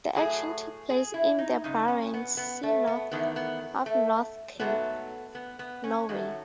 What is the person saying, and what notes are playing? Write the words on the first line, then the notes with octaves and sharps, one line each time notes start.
The action took place in the Barents Sea north of North Cape, Norway.
A2 F#3 A3 G#4
G#4
E4
D#4
F#2 C#3 G#3 D#4
C#4
B3
B3
A3
B3
E2 D#3 A3 B3
B3
A3
G#2 F#3 A3 B3
B3
B3
C#4
F#2 D#3 F#3 A3